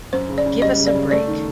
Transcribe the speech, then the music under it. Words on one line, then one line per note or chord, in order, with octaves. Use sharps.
Give us a break.
F#2 C5
C#3
D5
C#3
G3 D#5
C#3
D5
C#3
A3 D5
D#3